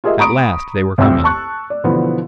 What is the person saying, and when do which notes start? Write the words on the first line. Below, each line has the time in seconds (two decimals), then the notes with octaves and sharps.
At last, they were coming.
0.04 F4 G4 G#4 A#4 D#5 E5
0.19 A#5 B5 C#6 D#6 D7
0.98 C2 F2 E5 G5 E6
1.24 A5 C#6 F#6
1.70 D5
1.84 B2 D3 E3 F3 B3